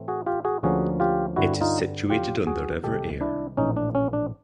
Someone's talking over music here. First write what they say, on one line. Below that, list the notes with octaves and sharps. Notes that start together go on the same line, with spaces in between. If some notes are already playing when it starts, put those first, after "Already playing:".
It is situated on the River Ayr.
Already playing: A2 E3 A3 C4
F#4 G#4
F4 G4
F#4 G#4
D2 D3 F3 A#3 C#4 F#4 G#4
F4 G4
G2 D3 G3 C4 E4 F#4
D#4 F4
F2 D3 F#3 F4 G4
F#4 G#4
C2 C3 D#3 G#3 G4 A4
D4 E4
A#1 A2 E3 C#4 D#4
D4
C#4
D4